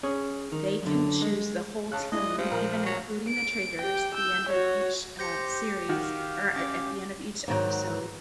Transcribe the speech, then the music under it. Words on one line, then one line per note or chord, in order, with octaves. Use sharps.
they can choose the whole team, even including the traitors, at the end of each, uh, series or, a at the end of each episode,
C#4 G#4 C#5
D#3
F#2 D3
G#3
C#3 A5 F#6
G#3 E4 D5 D#5
F3 G3
A#1 A#4 A#5
F#3
D7
G4 G5
E6 G6
F#4 C#5
G4 C5 G6 A#6 C#7
D#3 F#4 F5
C#4 D6
G#2 D#3 F#3